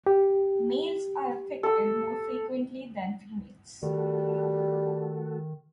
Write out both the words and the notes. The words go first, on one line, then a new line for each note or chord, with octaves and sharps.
Males are affected more frequently than females.
G4
A4 E6
D#3 G3 A3 F#4 A4